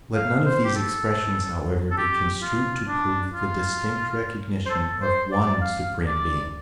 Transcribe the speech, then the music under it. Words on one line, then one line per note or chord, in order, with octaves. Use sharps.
Let none of these expressions, however, be construed to prove the distinct recognition of One Supreme Being.
F5
C5
G4
A4
A4
G4
F4
D4
F4
C5
A4
C5
D5
F5
D5